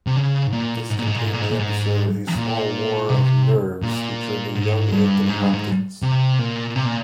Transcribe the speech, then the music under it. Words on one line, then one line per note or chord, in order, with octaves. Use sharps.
This contained the episode A Small War of Nerves featuring a young Anthony Hopkins.
C3
C#3
G#2
A#2
G#2
A#2
G#2
A#2
G#2
A#2
G#2
A#2
G#2
A#2
C3
A#2
G#2
G2
G#2
G2
G#2
C3
A#2
C3
A#2